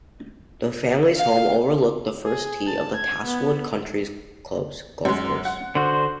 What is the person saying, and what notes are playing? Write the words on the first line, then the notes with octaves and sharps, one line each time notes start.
The family's home overlooked the first tee of the Castlewood Country Club's golf course.
F5
G#4
A5
G#6
B3
F#2 G#3
F#5
D3 F#4 C5